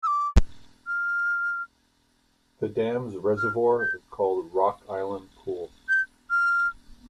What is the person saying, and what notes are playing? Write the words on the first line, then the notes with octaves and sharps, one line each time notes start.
The dam's reservoir is called Rock Island Pool.
E6
D6
F6
F6
G6
G6
F6